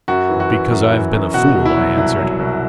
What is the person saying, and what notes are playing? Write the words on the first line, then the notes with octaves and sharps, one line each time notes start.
"Because I have been a fool," I answered.
F#2 F#4
E3
F#4
E3
F#2
E3
F#2
B2 F#4
C2
E4
F#3
C2 E4
F#3
C2